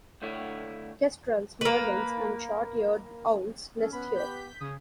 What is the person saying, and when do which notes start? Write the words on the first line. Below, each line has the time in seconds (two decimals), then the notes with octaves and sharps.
Kestrels, merlins and short-eared owls nest here.
0.22 D2 A3 E4 C#5
1.61 A#3 B4
3.78 C#4 A4
3.93 B3 B5
4.15 G4 G6 B6
4.61 C#3 G#4 D#6